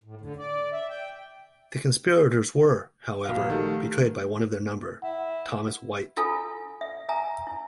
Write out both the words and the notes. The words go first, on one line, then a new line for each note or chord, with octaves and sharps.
The conspirators were, however, betrayed by one of their number, Thomas Whyte.
A2
D3
D5
E5
G5
A#1 F#4 F5 F#5 F6
D#3 A3 G4
E4 F#5
E4 F4 A4 G#5
E5
E5 G#5 A#5
E4